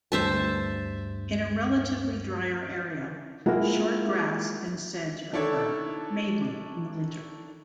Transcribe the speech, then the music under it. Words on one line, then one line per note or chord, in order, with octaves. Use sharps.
In a relatively drier area, short grass and sedge occur, mainly in winter.
D2 G2 C5 E5 A5
G#3 A#3 E4 F4 F#5
D#3 D4 E4 A4 C#5